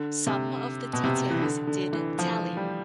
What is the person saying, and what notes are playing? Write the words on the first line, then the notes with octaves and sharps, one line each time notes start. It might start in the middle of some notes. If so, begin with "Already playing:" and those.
Some of the details did tally.
Already playing: D3
C3
B2
C3
E3
D3
D3
E3
F3
G3